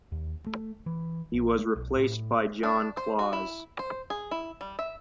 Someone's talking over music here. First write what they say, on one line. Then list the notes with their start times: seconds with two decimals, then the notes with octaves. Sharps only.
He was replaced by John Claus.
0.12 D#2
0.47 A3
0.86 E3
1.33 A#1
1.59 A3
1.76 B1
1.95 A2
2.63 D4
2.97 C5
3.19 F#4
3.33 E4
3.79 C5
4.10 G#4
4.31 E4
4.61 G3
4.79 E5